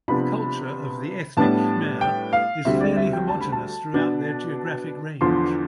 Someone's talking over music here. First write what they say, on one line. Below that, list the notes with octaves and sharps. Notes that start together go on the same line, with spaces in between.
The culture of the ethnic Khmer is fairly homogeneous throughout their geographic range.
C3 F3 B3 D4 B5
A2 G3 B3 D4 A5
G5
F5
D2 D3 G3 C4 E5
D5
E5
G5
A5
B5
A5
B2 B3 D4
E2 D3 F3 C6